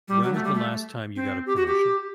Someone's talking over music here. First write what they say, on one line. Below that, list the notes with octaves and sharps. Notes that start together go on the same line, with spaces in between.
When was the last time you got a promotion?
G3
F#3
A3
G3
A3
C4
G4
F#4
G4